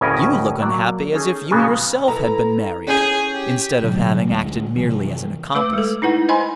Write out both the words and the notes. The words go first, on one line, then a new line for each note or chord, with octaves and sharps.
You look unhappy as if you yourself had been married instead of having acted merely as an accomplice.
D2 A2 C#3 C#4 A#4 G#5
F#3 A#3 D5
C#4 D#4 G#4 A4
A#2 C#3 F3 G#3 B3 F#4
E4 A4 B4 A#5
C#4 G#4 G6
G4
B2 D3 F#3 A3
D2 G#3
C3 E3 F3
A3 B4 D6
G#3 A4
D#4 E4 B4 F#5
C5 D#5 G#5 B5 C6